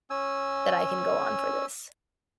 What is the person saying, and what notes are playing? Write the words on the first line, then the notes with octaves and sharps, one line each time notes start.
that I can go on for this.
C#4 G#5 E6